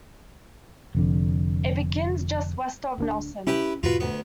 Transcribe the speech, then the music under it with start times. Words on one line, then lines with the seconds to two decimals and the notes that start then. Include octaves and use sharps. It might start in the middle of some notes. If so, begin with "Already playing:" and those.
It begins just west of Nelson.
0.95 F1 F2 D3
2.98 D1 D2 D4
3.47 C#4 E4 G4 B4
3.83 E2 G#2 B2 F4 F#4 B4
4.00 D2 B3